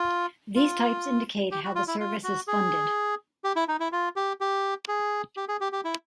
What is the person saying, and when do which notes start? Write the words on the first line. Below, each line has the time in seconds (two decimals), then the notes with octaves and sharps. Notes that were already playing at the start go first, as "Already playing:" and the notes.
These types indicate how the service is funded.
Already playing: F4
0.56 F4
1.52 G4
1.64 F#4
1.75 F4
1.88 E4
2.00 F4
2.24 F#4
2.47 G#4
3.44 G4
3.56 E4
3.68 D#4
3.80 E4
3.92 F4
4.16 G4
4.41 G4
4.88 G#4
5.37 G4
5.48 G#4
5.61 G4
5.72 G4
5.84 E4